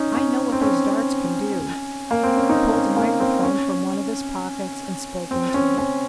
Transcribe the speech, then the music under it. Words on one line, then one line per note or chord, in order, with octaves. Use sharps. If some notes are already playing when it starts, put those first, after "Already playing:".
"I know what those darts can do." He pulled a microphone from one of his pockets and spoke into it.
Already playing: C#4 D#4
C#4
C4
C#4
A#3
C4
C#4
D#4
C#4
A#3
C4
C#4
C4
C#4
C#4